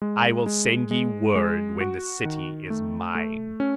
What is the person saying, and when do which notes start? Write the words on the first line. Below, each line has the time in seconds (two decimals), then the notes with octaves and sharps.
"I will send ye word when the city is mine."
0.02 G#3
0.46 G#3
0.91 G#3
1.36 G#3
1.81 F#4
2.25 D#3
2.70 A3
3.15 A3
3.60 C#4